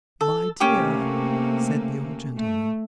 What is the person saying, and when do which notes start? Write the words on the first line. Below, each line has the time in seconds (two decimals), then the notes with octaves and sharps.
'My dear,' said the old gentleman.
0.21 A4
0.60 C3 A3 A#3 C#4 G4
2.38 A3